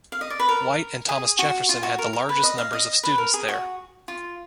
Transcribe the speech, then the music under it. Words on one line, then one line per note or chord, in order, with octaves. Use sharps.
White and Thomas Jefferson had the largest numbers of students there.
F5
D#5
D5
B4
A#4
G#4
F#4
F4
F#4
A#4
A#4
B4
D#5
F5
D#5
B4
A#4
G#4
F#4
F4